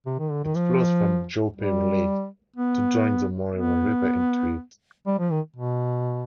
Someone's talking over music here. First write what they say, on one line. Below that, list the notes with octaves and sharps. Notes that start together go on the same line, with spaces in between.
It flows from Joeperry Lake to join the Moira River in Tweed.
C3
D#3
D3
D#3
F3
G3
B3
B3
G3
F3
D#3
B2